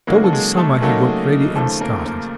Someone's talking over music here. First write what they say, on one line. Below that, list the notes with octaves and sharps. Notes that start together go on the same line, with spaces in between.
Towards summer he got ready and started.
C#3 F#3 G#3 A#3 D#4 G#4
A4
G#3 G#4
A3 A4
C#3 F#3 A3 A#3 D#4 A4
D#2 C#3 F3 A3 A4
A#3 A#4
A#3 A#4